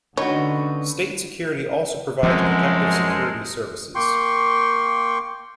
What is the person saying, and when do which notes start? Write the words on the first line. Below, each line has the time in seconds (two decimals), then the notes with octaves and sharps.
State Security also provides protective security services.
0.17 D3 C#4 D#4 F#4 B4 C#5
2.23 F#2 F3 G#3 C4 A4 A#4 C5
3.95 A#3 G5 C6 C#6